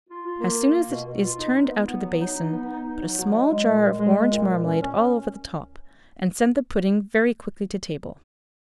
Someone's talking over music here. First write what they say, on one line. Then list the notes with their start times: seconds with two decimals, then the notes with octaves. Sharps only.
As soon as it is turned out of the basin, put a small jar of orange marmalade all over the top, and send the pudding very quickly to table.
0.08 F4
0.25 F4
0.40 A#3
0.57 F4
0.73 A#3
0.90 B2
1.06 B2
1.22 F4
1.38 D#4
1.55 D#4
1.71 B3
1.87 B3
2.03 F#3
2.20 D#4
2.36 D#4
2.52 B3
2.69 D#4
2.85 D#4
3.01 F#3
3.18 F#3
3.34 G#3
3.50 G#3
3.66 A#2
3.83 G#3
3.99 G#3
4.15 G#3
4.31 A#2
4.49 A#2
4.64 C#4
4.81 C#4